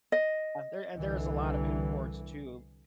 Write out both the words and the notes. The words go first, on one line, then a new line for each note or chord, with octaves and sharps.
there and there's a lot of imports too.
D#5
C2 D3 E3